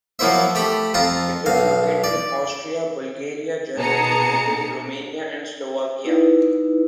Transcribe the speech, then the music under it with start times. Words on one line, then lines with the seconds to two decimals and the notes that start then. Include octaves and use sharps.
It is located in Austria, Bulgaria, Germany, Hungary, Romania and Slovakia.
0.19 F3 F#3 A#3 E4 C5 E5
0.55 A3 G4 B5
0.94 F2 F4 A5 A#5
1.46 B1 F5
2.04 D5
3.76 B2 B3 G#4 A5 A#5 C#7
6.04 D#4 E4 B4